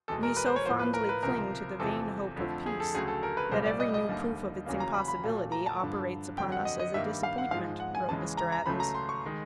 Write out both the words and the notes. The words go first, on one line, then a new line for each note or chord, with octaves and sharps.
"We so fondly cling to the vain hope of peace, that every new proof of its impossibility operates upon us as a disappointment," wrote Mr. Adams.
E2 B2 G#3 A4
A#4
B4
C5
C#5
A2 F3 A#3 C5
B4
A#4
B4
C#2 C3 F3 A#4
E2 C3 F3 A4
F2 D3 F3 A3
G#4
A4
D2 C#3 F#3 A3 G#4
A4
A#4
B4
C2 A#2 G3 C5
D5
D#5
D#5
D#2 D3 G3 A#3
E2 C#3 F#3 A#3
A#5
B5
B5
A#2 F#3 A3
A#5
A5
G2 D3 F3
F2 D3 F#3 G5
F#5
D#5
D#5
G2 D#3 G3 A#3 E5
F5
F#5
G#2 F3 G#3 F5
F#5
G#5
E2 C#3 E3 G#3 A5
A#5
A#5
C#2 C#3 F#3 A3 B5
A#5
C6
C#6
D#3 G#3